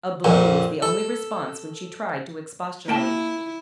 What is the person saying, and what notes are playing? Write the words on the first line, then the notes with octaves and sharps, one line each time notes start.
A blow was the only response when she tried to expostulate.
A#1 F2 A#2
A4
A#3 E4 G5 A5